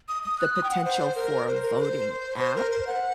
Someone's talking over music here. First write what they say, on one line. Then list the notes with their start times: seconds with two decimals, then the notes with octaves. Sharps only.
the potential for a voting app,
0.08 D#6
0.23 D#6
0.39 F#6
0.54 D#6
0.64 G5
0.70 F#5
0.85 C5
1.16 A#4
1.48 C5
1.63 A#4
1.78 C5
2.40 C5
2.56 A#4
2.71 C5
2.87 F#5